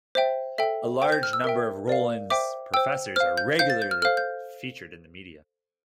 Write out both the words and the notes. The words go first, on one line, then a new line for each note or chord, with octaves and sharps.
A large number of Rollins professors are regularly featured in the media.
C5 E5 G5
A4 E5 G5
C5 G5
G6
F6
E6
A#4 E5 G5
A#4 D5 F5
C5 E5 G5 D6
C5 G5 E6
C5 F5 F6
G6
C5 F5 G6
A6
G6
F6
A4 C5 F5 F6
G6